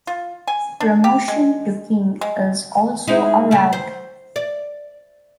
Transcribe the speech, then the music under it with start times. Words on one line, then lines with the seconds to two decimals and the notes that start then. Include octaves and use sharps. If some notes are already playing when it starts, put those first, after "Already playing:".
Promotion to king is also allowed.
0.07 F4
0.48 G#5
0.80 D4
1.04 G4
1.28 G#3
2.21 G#3
3.07 G#3 D#4 E4
3.51 C#3 A3
3.73 C5
4.36 D5